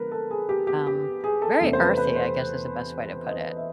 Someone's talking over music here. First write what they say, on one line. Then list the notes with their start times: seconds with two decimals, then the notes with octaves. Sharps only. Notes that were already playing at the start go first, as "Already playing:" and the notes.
um, very earthy, I guess, is the best way to put it.
Already playing: D3 F3 G#3 B3 A#4 B4
0.11 A4
0.30 G#4
0.49 G4
0.67 G4
0.87 G4
1.24 G#4
1.42 A4
1.61 E2 C3 E3 A3 C#4
1.73 C5
1.80 B4
1.97 B4
2.16 C5
3.29 D#5
3.57 E5